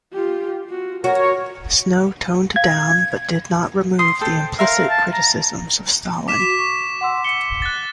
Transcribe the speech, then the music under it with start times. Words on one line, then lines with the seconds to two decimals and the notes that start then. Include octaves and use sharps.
Snow toned down but did not remove the implicit criticisms of Stalin.
0.12 F4 G4
0.65 F4 F#4
1.04 F#4 A#4 C#5
2.56 F5 G#6
3.99 C6 D#6
4.21 A4 C5 G5
4.59 A#4 E5 F5 C6
4.90 A5
5.13 A#5
6.28 D6 B6 E7
6.40 F#4 B6 E7
6.59 C#6
7.01 F#5 C6 E6
7.24 C#7 G7
7.62 F#6 A6